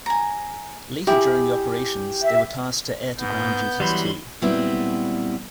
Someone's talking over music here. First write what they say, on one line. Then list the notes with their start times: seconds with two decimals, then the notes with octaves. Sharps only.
Later during the operations, they were tasked to air to ground duties too.
0.06 G#5 A#5
1.07 E4 G4 G#4
2.22 E5
3.20 G#2 B3 G6
3.80 E3 F#3 G3 B5 C6
4.42 A#2 F#3 G3 B3 C4 E4